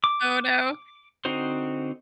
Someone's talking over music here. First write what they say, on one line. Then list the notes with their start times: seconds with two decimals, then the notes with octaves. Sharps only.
Oh no.
0.04 D6
1.25 D3 C4 D#4 F#4 C5